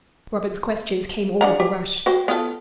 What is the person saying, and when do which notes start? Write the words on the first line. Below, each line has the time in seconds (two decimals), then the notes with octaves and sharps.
Robin's questions came all of a rush.
1.41 D4 F#5 A#5
1.60 G4
2.06 F#4 G4 C5
2.28 B3 F4 A4